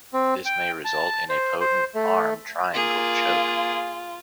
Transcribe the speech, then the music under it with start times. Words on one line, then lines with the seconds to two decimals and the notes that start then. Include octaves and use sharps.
This may result in a potent arm triangle choke.
0.13 C4
0.46 G5
0.85 A5
1.30 C5
1.60 C5
1.95 A3
2.74 A#3 F4 G#4